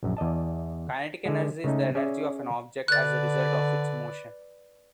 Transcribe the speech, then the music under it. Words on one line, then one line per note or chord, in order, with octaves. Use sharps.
Kinetic energy is the energy of an object as a result of its motion.
A#1 F#2
E2 D5 D#5 A5
D3 G#3
C#3 G#3 A3 C#4 D#4
C#4 G#4 D5 E5
D3 B4 D5 F#6 A6